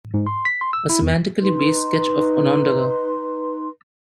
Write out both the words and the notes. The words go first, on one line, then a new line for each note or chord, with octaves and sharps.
A Semantically Based Sketch of Onondaga.
G#2
C6
B6
C6
E6
E4
E2
D#4 B4 C6